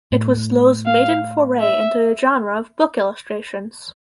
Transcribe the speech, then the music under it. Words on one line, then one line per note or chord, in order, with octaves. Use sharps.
It was Loh's maiden foray into the genre of book illustrations.
A2
F5
E5